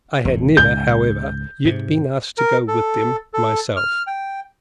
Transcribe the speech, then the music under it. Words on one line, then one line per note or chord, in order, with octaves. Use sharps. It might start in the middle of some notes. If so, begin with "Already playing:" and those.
I had never, however, yet been asked to go with them myself.
E1 A2
C#2 G#2 G6
G#2 C3
A#4
A4
A4
F6
G5